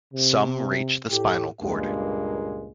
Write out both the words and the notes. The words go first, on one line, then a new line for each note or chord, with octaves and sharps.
Some reach the spinal cord.
C3
A2 G4
C#2 G2 A#2 G#3 A#3